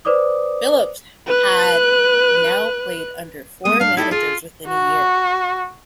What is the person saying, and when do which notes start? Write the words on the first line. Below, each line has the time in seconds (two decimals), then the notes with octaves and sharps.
Phillips had now played under four managers within a year.
0.05 B4 C5 D5 D6 D#6
1.26 B4 F#6
3.65 G#3 A#3 B3 D#6
3.80 G2 D4 F5
3.97 D#4 E4 A4 D5
4.11 F4 G#4
4.67 F#4